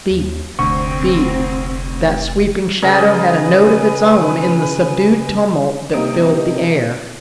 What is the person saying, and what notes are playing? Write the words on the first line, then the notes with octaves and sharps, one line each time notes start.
"Beat, beat," that sweeping shadow had a note of its own in the subdued tumult that filled the air.
D#2
F1 D2 C4 C#6
C#3 G#4 A#4 B4 D#5 G#5
C3 G3 A#3 D#4 D#6 D7